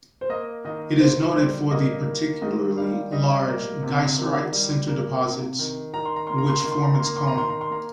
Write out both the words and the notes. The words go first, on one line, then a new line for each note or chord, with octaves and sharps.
It is noted for the particularly large geyserite sinter deposits, which form its cone.
C5
A#3 D#5
D#3 D#5
D#3 C5
G3 C5
A#3 D#5
D#3
D#3 D#5
G3 F5
G3 D#5
A#3
C3
D#3
G3
A#3
C3
D#3
D#3 A#5
C6
A#5
A#3 C6
A#5
C6
D#3 A#5
C6
A#5
C6
A#3 A#5
C6
A#5
D#3 C6
A#5
C6
A#3 A#5